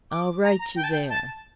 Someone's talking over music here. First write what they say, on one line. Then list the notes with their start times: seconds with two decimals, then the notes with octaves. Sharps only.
"I'll write you there."
0.11 D6
0.44 A#5
0.59 A#5
0.76 G5
0.84 A5
0.92 G5
1.09 A5